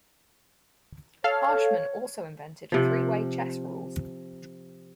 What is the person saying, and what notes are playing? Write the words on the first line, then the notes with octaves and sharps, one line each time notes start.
Harshman also invented three-way chess rules.
A4 C#5 F5
C3 F3